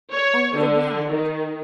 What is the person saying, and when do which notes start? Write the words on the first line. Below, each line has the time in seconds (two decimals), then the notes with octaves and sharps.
All the world!
0.12 C#5
0.56 D3
1.08 D#3